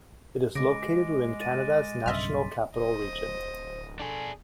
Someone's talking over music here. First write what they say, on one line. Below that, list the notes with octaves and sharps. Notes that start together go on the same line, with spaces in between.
It is located within Canada's National Capital Region.
C#3 G#3 D6 A#6 D7
A6 D#7
B1 G2 C#3 D#5 E5 C6 F6 B6
D1 C5 D#5
D4 G#4 A4